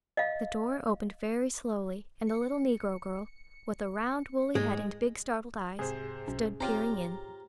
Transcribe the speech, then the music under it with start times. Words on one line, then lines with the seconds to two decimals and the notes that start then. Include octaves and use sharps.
The door opened very slowly and a little negro girl, with a round woolly head and big startled eyes, stood peering in.
0.17 D#5 F5
2.27 C#7
4.55 G#2 G#3
5.79 C2 G#2 C3 G#4 C5
6.28 B1 B2 C#4
6.60 C4 F4 G4 C5 C#5 A#5